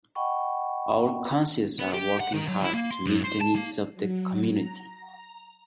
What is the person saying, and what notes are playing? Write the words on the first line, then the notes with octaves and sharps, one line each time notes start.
Our Councils are working hard to meet the needs of the community.
D#5 F#5 G5 B5 C#6
B3
G4
F#5
D#3
F#3
E4
A#3
C6
F#2
C5
A5
A#3
F#3
A#5